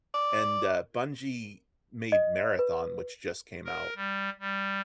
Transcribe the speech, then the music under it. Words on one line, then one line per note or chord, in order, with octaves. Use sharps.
and, uh, Bungie made Marathon, which just came out.
D5
D#5
B4
A#4
G3
G3